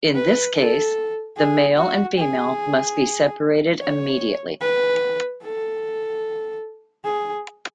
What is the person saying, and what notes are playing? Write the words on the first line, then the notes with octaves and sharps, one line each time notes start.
In this case, the male and female must be separated immediately.
B4
A4
G#4
F#4
G#4
C#5
B4
A4
G#4